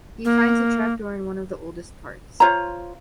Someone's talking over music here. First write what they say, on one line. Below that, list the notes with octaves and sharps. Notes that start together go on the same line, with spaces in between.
He finds a trapdoor in one of the oldest parts.
A#3
F4 C5 C#5 A#5